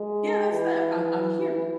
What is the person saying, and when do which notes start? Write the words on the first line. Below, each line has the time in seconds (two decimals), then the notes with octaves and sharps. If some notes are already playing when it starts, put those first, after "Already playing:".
yeah, that's that. I'm I'm here,
Already playing: G#3
0.51 E3